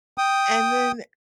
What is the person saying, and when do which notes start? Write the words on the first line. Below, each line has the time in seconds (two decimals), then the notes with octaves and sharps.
and then
0.18 G5 D#6